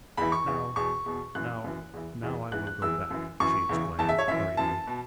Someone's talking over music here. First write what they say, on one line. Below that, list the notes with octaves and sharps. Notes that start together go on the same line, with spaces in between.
"Now--now--now I will go back," she exclaimed, hurriedly.
E2 E3 B5
C#6
E2 E3
E2 B2 C#6
E2 B2
F#2 E3 F#6
F#2 E3
E2 E3
E2 E3
E2 E3 F#6
F#6
E2 E3 E6
F#2 E3
F#2 E3 C#6
E2 C#3 E3
E2 C#3 E3 A5
E5
C#5
F#2 E3 E5
F#2 E3 A5
B2